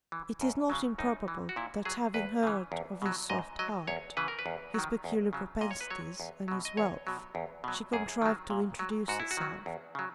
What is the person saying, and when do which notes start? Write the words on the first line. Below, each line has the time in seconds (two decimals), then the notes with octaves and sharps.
It is not improbable that having heard of his soft heart, his peculiar propensities, and his wealth, she contrived to introduce herself.
0.12 E3
0.41 F#2
0.70 C#3 F#3
0.98 F#2 D#4
1.28 E3
1.49 F#4
1.56 A#2 E4
1.85 F#3 G#4
2.14 E2 B4
2.43 C#3 E3
2.72 E2
3.02 B2 F#3
3.30 G#2 D#5
3.59 F#3 D#5
3.87 E2 C#5
4.17 C#3 E3 B4
4.28 A#4
4.39 B4
4.46 E2
4.74 D#3 F#3
5.04 E2
5.33 C#3 F#3
5.61 A#2 D#5
5.71 C#5
5.81 B4
5.90 F#3 C#5
6.20 E2
6.48 B2 F#3
6.65 D#5
6.77 E2 C#5
7.07 B2 F#3
7.35 E2
7.64 B2 F#3
7.93 F#2 G#4
8.22 D#3 F#3
8.50 A#2
8.79 F#3
9.08 G#2 F#4
9.20 E4
9.31 F#4
9.37 D#3 F#3
9.66 E2
9.95 C#3 F#3